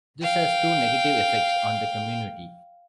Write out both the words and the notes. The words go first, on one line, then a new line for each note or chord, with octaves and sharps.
This has two negative effects on the community.
F5 G5